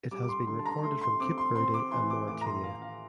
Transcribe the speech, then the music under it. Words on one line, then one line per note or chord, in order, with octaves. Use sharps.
It has been recorded from Cape Verde and Mauritania.
G3 D6
D6
C6
D3 C6
A5
A#5
A3 C6
C6
C4 D6
C6
C4 C6
D6
E3 C6
D6
A2 D6
A#5
C6
A2 F5
F5